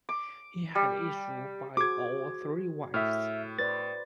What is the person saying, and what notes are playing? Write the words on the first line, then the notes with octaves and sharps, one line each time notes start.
He had issue by all three wives.
D6
G3
F#4 G#4 C5 D6 G#6
A2 E5 F6
B4 C5 D5 A6